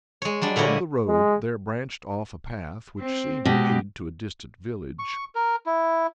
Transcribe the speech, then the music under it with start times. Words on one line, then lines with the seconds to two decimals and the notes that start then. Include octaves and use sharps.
From the road there branched off a path which seemed to lead to a distant village.
0.22 G#3 C#5
0.42 F#3 G3 D4
0.56 A#2 D3 E4 C#5 D#5
1.07 G#3
2.99 C4
3.45 B2 G#3 G4
4.99 C#6
5.35 A#4
5.66 E4